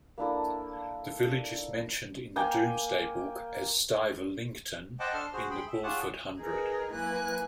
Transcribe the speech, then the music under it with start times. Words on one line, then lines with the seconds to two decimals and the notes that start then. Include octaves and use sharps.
The village is mentioned in the "Domesday Book" as "Stivelincton" in the "Bulford hundred".
0.18 A#3 D4 E4 A4
2.36 A#3 G5 G#5
5.00 C5 D#5 F#5 G5 A5 D6
5.13 D4 A4 A5 C6 F6
5.33 F#4 G#4 C5
5.51 G#4 G5 B5 C6
5.67 E5
5.83 F4 G4 G#4 C#5 F#5 A5
6.38 D#4 G#4 A#4 B4
6.94 F#2 A#3 E4 B4 G#5 F#6